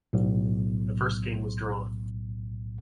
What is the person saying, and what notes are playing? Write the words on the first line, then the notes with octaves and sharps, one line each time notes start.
The first game was drawn.
B1 A2